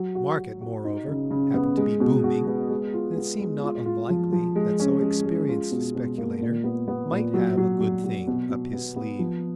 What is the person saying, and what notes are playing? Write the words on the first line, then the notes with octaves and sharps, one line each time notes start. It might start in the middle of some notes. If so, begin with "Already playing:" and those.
The market, moreover, happened to be booming, and it seemed not unlikely that so experienced a speculator might have a "good thing" up his sleeve.
Already playing: F#3
F#4
F#4
F#4
D#4
C#3
C#3
B3
G#3
B2
F#4
B3
G#3
F4
B3
G#3
F4
F4
F3
F3
G#3
C#4
G#3
G#3
F4
B2
B2
A#3
A#2
B3
B3
A#2
F#3
F#3
F#3
F#3
B2
B2
B3
B3
F3